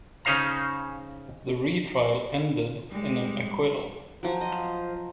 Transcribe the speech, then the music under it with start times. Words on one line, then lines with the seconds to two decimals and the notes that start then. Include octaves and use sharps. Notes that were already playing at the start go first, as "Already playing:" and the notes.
The retrial ended in an acquittal.
0.25 C#3 C#4 D#4 C5 F5 A#5
2.90 G3 G#3
4.23 F3 F#3 F4 C5
4.41 D#5